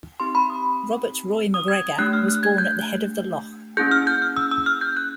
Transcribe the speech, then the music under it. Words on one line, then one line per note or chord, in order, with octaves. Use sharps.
Robert Roy MacGregor was born at the head of the loch.
C4 D#4 G4 C6
B5
D#6
D#6
G#6
A3 D4 G4 F#6
F6
F#6
G#6
G6
A#3 C#4 E4 G#4 G6
F6
G6
F6
E6
E6
F6
G6
F#6